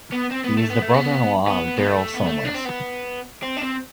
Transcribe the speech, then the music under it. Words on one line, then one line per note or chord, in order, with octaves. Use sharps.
He is the brother-in-law of Daryl Somers.
B3
C4
B3
A3
B3
A3
B3
B3
B3
A3
B3
A3
D4
C4
B3
C4
D4
C4